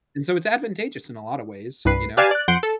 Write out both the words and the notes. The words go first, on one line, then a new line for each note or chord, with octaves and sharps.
And so it's advantageous in a lotta ways, you know?
C2 G2 B4 C7
G4 B4 D5 F5 G#5 A5
D5 F#6
F2 F#5 C6 G6 D7
A4